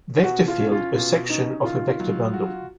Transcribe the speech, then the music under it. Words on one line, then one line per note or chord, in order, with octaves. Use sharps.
Vector field, a section of a vector bundle.
B2 F#4
F4
C#4
F4
B2 F4
C#4 D#4
D#3 F4
F#3
F#4